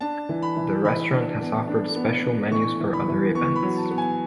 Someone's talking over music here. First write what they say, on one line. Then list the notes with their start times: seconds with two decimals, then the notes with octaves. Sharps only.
The restaurant has offered special menus for other events.
0.01 D4 A5
0.29 E3
0.42 B5
0.56 E3
0.84 E3 B5
1.12 D4
1.41 B3
1.68 D4
1.96 B3
2.23 D4
2.51 E3 C#6
2.80 E3
2.93 B5
3.08 E3
3.35 B3 C#6
3.56 B5
3.62 F#3
3.77 A5
3.91 B3
3.98 G#5